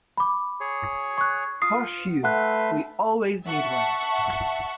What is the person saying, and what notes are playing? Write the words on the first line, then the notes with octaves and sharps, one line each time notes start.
Hortefeux - We always need one!
B5 D6
G#4 C#5
C#6 F#6
F4 D#6 C7
A3 B4 F#5 C6 F#6
E5 F#5 A5 C#6